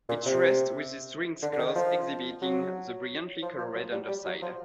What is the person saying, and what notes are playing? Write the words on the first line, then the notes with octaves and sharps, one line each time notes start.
It rests with its wings closed exhibiting the brilliantly coloured underside.
A#2
C3
D3
D3
D#3
F3
F#3
F3
F3
F#3
G3
G3
F#3
F3